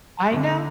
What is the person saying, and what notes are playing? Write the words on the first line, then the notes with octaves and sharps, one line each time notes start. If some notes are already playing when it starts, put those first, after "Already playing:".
I know.
D3